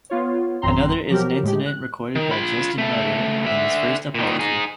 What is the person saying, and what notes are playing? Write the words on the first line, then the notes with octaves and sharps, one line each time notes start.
Another is an incident recorded by Justin Martyr in his "First Apology".
B3 F4 C#5
A1 F#2 C4 A#5 C6
F3 F#3 G4 A#4
A2 G#3 G4
F#6
D#3
F4 B5
C#2 A3
D3 E5
A#2 D#3
D#4 G#4